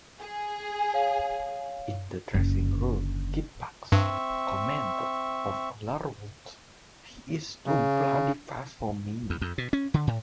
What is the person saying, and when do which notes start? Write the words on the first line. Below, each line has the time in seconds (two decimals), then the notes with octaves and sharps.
In the dressing room, Kippax commented of Larwood, "he's too bloody fast for me".
0.19 G#4
0.94 C#5 F5
2.34 F#1 D3
3.92 G2 C4 E5 C#6
7.66 C#3
9.30 E2
9.41 F2
9.58 B2
9.73 C#4
9.94 D3
10.07 A2